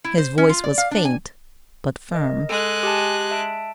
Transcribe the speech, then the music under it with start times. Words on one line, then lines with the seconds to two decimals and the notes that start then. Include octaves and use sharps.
His voice was faint but firm.
0.04 E4
0.18 C5
0.38 C#4
0.49 F4
0.64 D5
0.78 F5
0.91 D4
1.05 G#5
2.12 A#4 D#5
2.49 G#3 A4 F#6
2.83 G4 G#5 A5
3.31 E5 A5 D7